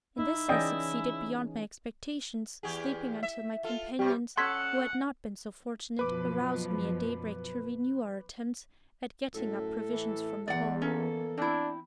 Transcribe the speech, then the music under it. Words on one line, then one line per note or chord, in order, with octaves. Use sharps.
In this I succeeded beyond my expectations, sleeping until my companions, who had not been so fortunate, aroused me at daybreak to renew our attempts at getting up provisions from the hull.
D#4 E4
E3 C#4 G#4 D5 D#5 G5
E2 G4 G#4
E5
F4 A4
C3 G3 G4
C#4 A4 F#5 C6 G#6 B6
F#2 B2 F3 B4 D6
F#2 A2 A4
E3
E2 E3 B3 D5 F#5
A#3 C#4 A4
C4 D4 E4